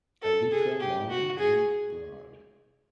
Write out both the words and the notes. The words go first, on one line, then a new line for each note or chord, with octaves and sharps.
Elytra long and broad.
A4
G#4
G4
F#4
G#4